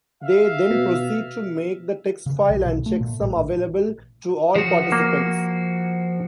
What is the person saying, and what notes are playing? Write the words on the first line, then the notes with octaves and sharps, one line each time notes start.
They then proceed to make the text file and checksum available to all participants.
E5 F5
B2
C#3
B1
B2
A3
A#2
A1
F3 F#4
A#3